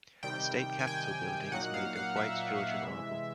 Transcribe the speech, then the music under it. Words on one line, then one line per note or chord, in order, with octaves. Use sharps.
The state capitol building is made of white Georgian marble.
C3 D#3 G3 G5
G#5
G5
A#2 F#3 A#3 D#4 F#5
F5
F5
E5
C3 E3 G#3